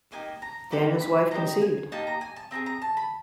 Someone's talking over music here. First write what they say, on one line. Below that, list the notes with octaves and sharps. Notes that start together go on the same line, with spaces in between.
Daniel's wife conceived.
A#3 D#4 G4 G#5
A#5
A#3 D#4 G4 B5
B5
A#3 D#4 G4 A#5
G#5
A#3 D#4 G4 A5
A#5
G#5
A5
C4 D#4 G#4 A#5
A#5
A5
B5